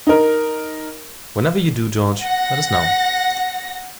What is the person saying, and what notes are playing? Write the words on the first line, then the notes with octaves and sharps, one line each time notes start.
Whenever you do, George, let us know.
D#4 A#4
F#5 A#6